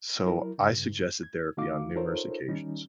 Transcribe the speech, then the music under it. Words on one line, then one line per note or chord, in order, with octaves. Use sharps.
So, I suggested therapy on numerous occasions,
F#3 E4 A#4
G2 C#3
G#6
D3 A3 D#4 F#4 F5 D6
D#4 F4 A4 A#4 C5 C#5
D#3 G3 C#4 D#4